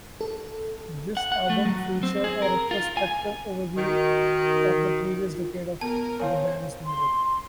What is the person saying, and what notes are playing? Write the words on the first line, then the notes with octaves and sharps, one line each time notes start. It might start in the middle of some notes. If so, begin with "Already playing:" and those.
This album featured a retrospective overview of the previous decade of the band's music.
A4
F#5
F#5
A3
F#3
C4
G#4
A#4
F4
G#5
D#3 F#4
F4
B3 A#4 A5
C4 E4 C#5 F5 G#5
C6